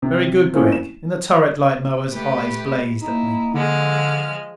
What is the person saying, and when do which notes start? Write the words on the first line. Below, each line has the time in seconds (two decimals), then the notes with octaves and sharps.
"Very good, Gregg." In the turret light Moa's eyes blazed at me.
0.02 C3
0.54 F3 A3 A#3 C4 C#4 E4
0.72 E7
2.11 A3 G4 B4
3.02 A#3 D#4 E4
3.54 D3 F3 G#3 F6